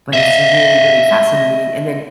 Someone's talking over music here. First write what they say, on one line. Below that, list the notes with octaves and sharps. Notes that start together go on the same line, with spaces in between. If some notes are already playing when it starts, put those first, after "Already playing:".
but it's really really fascinating, and then,
D#5 E5